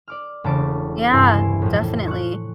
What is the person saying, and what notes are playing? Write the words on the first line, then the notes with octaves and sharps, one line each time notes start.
Yeah, definitely.
D5 D6 F6
E1 C#3 A3 A5 D6 D7
C2 G2 E4 G#4 C6
E4
F2 A2
C#6 F#6